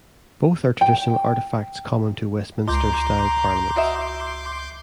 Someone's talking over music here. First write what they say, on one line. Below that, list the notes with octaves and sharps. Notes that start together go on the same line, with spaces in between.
Both are traditional artifacts common to Westminster style parliaments.
G5
C#2 A#5 C6 D6 G6
F#4 D#5 E5